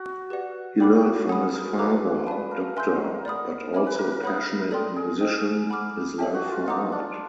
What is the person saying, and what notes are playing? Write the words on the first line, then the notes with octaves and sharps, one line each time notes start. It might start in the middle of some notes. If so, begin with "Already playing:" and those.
He learnt from his father, doctor but also passionate musician, his love for art.
Already playing: F#4
G4 B4 D5 F#5
G4 A4 D5 F#5 B5 D6
G4
F#4
G#4 C#5 F#5 B5 D#6
A#4
A4 B4 C5 F5 A#5 D6
B4 D5 F5 A5
A#4
A#4 E5 G#5 C6 E6 G6
D5 F#5 B5 D#6
A#4 C#5 E5 G#5 B5 D6
B4
A#4
A#4
C#5 F#5 B5 D#6
A4 A#4 D5 G5 C6 D#6
G#4
C5 D#5 G5
F#5 B5 D6 F6
G4 A4 C#5 E5 A5
F#4
F4
D#4 D#5 F#5 A#5 D6
D4